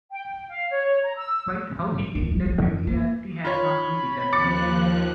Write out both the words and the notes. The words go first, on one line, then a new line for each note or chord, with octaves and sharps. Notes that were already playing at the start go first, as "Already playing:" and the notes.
Quite how he gained that familiarity has not been determined.
G5
G5
F5
C#5
C#5
A#5
E6
D#2
G3
F3
F#2
A#3
F4 C#5 B5
D#2 F3 D6 F#6 A6 C#7